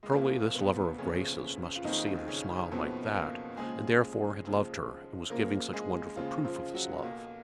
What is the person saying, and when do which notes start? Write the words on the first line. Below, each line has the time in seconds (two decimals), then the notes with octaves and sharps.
Surely this lover of Grace's must have seen her smile like that, and therefore had loved her and was giving such wonderful proof of his love.
0.03 G#3
0.12 F#1 F2 F3 A#3
0.55 B2 B3
0.98 F#1 F2 C#3 F3 C#4
1.75 F4
1.84 F#1 F2 D#3 F3 D#4
2.28 C#3 C#4
2.71 F#1 F2 B2 F3 B3
3.14 A#3
3.57 D#2 C#3 F3 G#3 G#4
4.44 D#2 C#3 F3
5.30 D#2 C#3 F3 A#3 A#4
5.73 G#3 G#4
6.16 D#2 C#3 F3 F4
6.45 F3 F4
6.74 F#3 F#4
7.03 B1 B2 A#3